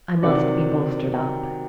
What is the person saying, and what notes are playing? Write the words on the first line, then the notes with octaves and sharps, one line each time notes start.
I must be bolstered up.
C3 D#3 F#3 D5 F#5
G5 A#5